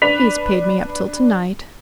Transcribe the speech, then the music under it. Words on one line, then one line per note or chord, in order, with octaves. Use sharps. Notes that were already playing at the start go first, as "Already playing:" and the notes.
He's paid me up till to-night.
D4 B4 B6 F7